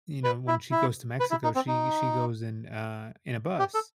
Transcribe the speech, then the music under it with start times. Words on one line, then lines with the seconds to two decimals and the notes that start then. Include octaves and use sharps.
you know, when she goes to Mexico, she she goes in a in a bus
0.24 B4
0.48 E4
0.71 E4
1.20 B4
1.31 E4
1.44 D#4
1.55 C4
1.68 D#4
3.59 G4
3.74 A4